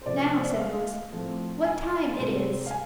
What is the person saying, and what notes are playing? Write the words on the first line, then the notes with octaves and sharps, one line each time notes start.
"Now," said Louis, "what time it is?"
C5
C3 F3 A3 D5
C5
D5
E5
F5
A2 F3 A3 C4
G#5
C3 G#3 C4
F5
G#5